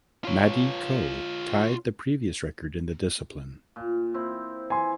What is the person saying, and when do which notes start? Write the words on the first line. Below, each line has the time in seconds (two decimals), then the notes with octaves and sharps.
Madi Ko tied the previous record in the discipline.
0.25 F4 C#5
3.76 A#2
4.14 C4 E4 C5
4.70 E3 G#5 C6